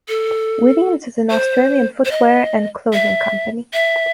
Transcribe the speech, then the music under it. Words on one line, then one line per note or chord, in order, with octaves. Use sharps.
Williams is an Australian footwear and clothing company.
A4
C5
C5
D#5
E5
E5